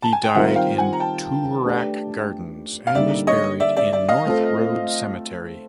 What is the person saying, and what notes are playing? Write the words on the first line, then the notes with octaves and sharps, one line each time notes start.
He died in Toorak Gardens and was buried in North Road Cemetery.
A5
G#5
G5
D#3 G3 C4 F4 A#4 E5 F#5
F5 G5
F#5 G#5
A#5
G5 A5
A3 D4 G4 B4 D5
F5
D3 G3 A#3 D#4 D5 E5
C#5 D#5
D5 E5
D5 E5
D5 E5
D#5 F5
A3 C4 F4 A4